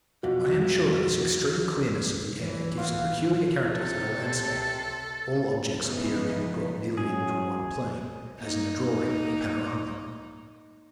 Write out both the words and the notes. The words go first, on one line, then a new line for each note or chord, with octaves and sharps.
I am sure that this extreme clearness of the air gives a peculiar character to the landscape, all objects appearing to be brought nearly into one plane, as in a drawing or panorama.
B1 F2 F#4
E3
F4 F5 F#5
C3 A4
C#3 E3 F3 B3 D#4
F#2 G#4
A#3 D#4